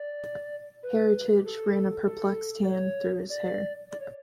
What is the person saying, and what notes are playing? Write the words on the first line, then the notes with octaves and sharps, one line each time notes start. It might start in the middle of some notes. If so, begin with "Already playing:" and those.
Heritage ran a perplexed hand through his hair.
Already playing: D5
B4
G4
A4
A4
D5
C#5
D5
D5
C#5